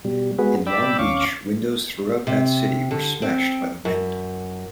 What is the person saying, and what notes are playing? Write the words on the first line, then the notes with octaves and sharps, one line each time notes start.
In Long Beach windows throughout that city were smashed by the wind.
B2 G3
G#3 B3 F#4 G#4 B4
D5 G5 B5 D6 E6
D#2 C#4 F5 C#6 D6
C3
D3
C4
F#2